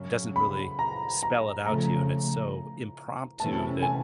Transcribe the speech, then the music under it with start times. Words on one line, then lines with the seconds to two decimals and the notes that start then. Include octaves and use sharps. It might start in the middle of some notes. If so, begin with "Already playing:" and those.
It doesn't really spell it out to you, and it's so impromptu that,
Already playing: F#2 C#3 F#3
0.36 B5
0.79 A#5
1.23 A#5
1.66 C#3 F3 A3 A#5
3.40 C3 E3 A3 C#4 A5
3.82 G#5